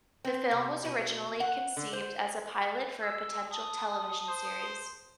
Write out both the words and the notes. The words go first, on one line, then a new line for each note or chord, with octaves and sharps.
The film was originally conceived as a pilot for a potential television series.
C4
C3
B2
F#5
D3
C5
E6
A5 D#6
C5